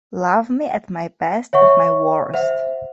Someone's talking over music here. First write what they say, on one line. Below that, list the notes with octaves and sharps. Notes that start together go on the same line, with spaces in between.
Love me at my best and my worst.
C#5 E5 F#5 C#6
C5 E5 F#5